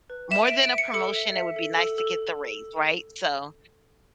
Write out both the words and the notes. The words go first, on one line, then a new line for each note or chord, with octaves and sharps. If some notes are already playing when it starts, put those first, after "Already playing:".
More than a promotion, it would be nice to get the raise, right, so,
B4
E5 E7
E5 D7
D7
E5
C#7
A4 C#7
E5
E5
A4
A4
A4